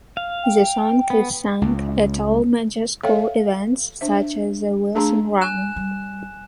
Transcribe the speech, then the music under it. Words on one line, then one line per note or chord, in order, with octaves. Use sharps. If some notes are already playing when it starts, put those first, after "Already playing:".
The song is sung at all major school events such as the Wilson Run.
F5
G5
B3
C#2
A4 C#5 E5 F5 G5
D4 C5 E5
A3 D4 G#4 A5 A#5 C6
G#5 F#6 E7
G3